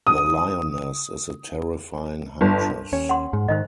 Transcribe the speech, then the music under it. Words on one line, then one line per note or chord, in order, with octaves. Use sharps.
The lioness is a terrifying huntress.
D#6
G1
D#2 C#4
F#5 C6
G#2
G#2 D#3 C5 D#5